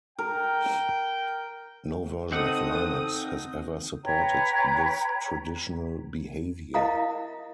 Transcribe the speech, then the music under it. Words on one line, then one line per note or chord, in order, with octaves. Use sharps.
No version of Linux has ever supported this traditional behavior.
A#4 G5
C4 D#4 A4 F#5 D#6
B4 C#5 G5 A#5
E4 A#4 D#5 F5 A#5 D#6